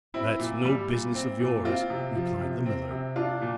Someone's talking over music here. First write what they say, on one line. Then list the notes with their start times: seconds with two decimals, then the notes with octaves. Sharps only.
"That's no business of yours," replied the miller.
0.14 C4 E4
0.39 A#2
0.65 G3
0.89 A#2
1.15 C4
1.40 A#2
1.65 C4 F4
1.90 C3
2.15 F3
2.40 C3
2.66 C4
2.91 C3
3.16 D4 F4
3.42 A#2